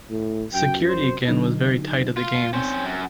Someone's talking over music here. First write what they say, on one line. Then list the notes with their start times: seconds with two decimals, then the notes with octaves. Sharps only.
Security again was very tight at the games.
0.10 A2
0.54 F#2 G5
0.89 C5
1.28 D3 F#3 D#4
2.17 F4
2.53 C4 C#4 C5 G5
2.84 F#2